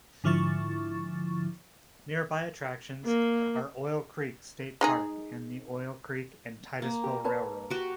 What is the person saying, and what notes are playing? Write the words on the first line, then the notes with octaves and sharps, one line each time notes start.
Nearby attractions are Oil Creek State Park and the Oil Creek and Titusville Railroad.
G#2 D3 F3 E4 C#6 A6
A#3
G#3 D#4 G#4
A#3
G4
B4 C#5 A5
F#4 G4